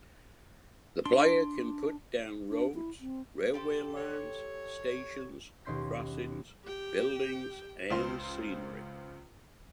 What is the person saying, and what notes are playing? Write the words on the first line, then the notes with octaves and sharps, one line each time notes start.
The player can put down roads, railway lines, stations, crossings, buildings and scenery.
D4 C6
D4
E4
C4
G4 A4 C5
C#5
D#2 B2 C#4 C6 G6 B6
G4 G5
C#2 F4 C5 C6